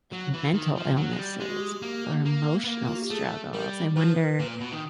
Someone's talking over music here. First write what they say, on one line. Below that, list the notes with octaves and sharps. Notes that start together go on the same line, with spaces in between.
like, mental illnesses, or emotional struggles? I wonder,
F#3
E3
D#3
F3
F#3
G#3
G3
G#3 G4
F#4
G4
A#3
A#3
B3
A#3
F4
F#4
G4
A3 G#4
G3 A#4
F3 B4
A#2
B2
D#3